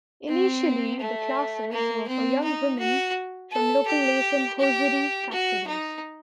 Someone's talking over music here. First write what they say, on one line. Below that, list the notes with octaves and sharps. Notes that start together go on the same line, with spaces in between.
Initially, the classes were for young women from local lace and hosiery factories.
C4
A3
A#3
C4
D#4
F#4
A4
G4
G4
F#4
D#4